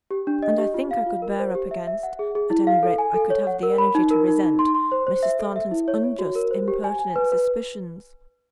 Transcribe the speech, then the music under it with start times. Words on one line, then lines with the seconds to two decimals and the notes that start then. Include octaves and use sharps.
And I think I could bear up against--at any rate, I could have the energy to resent, Mrs. Thornton's unjust, impertinent suspicions.
0.11 G4
0.27 D4
0.43 D#5
0.58 G4
0.74 F4
0.91 F5
1.06 F4
1.22 A#4
1.39 C5
1.55 G4
1.71 E5
1.87 E5
2.03 F#5
2.19 G#4
2.35 G#4
2.50 E4
2.67 F5
2.83 A4
2.98 G#5
3.14 A4
3.30 C#5
3.47 F#5
3.63 A#4
3.78 B5
3.95 D#4
4.11 A#4
4.28 D#4
4.43 D#4
4.59 C6
4.75 C6
4.92 C5
5.07 C5
5.23 E5
5.39 A4
5.56 E5
5.71 E4
5.88 C#5
6.04 C#5
6.19 F#4
6.35 A#4
6.51 C5
6.68 G4
6.84 G#5
6.99 G#5
7.16 B4
7.32 B4